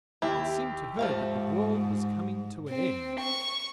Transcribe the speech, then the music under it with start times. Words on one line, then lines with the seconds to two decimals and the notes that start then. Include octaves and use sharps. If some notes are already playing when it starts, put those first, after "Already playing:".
It seemed to her that the world was coming to an end.
0.22 D#2 E4 G4
0.99 G#2 F3 A3 F5
2.69 C4
3.20 C#6